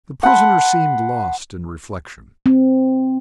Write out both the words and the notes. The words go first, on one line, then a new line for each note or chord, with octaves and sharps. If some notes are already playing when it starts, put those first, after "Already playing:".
The prisoner seemed lost in reflection.
F#5 A5 B5 C6
C4